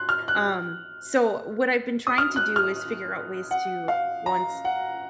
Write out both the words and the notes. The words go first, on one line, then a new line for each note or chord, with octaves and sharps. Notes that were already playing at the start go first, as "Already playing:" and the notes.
um, so, what I've been trying to do is figure out ways to once,
Already playing: C6 F#6
F6
F#6
D#6
F6
F#6
F6
F#5
F5
A#5
F#5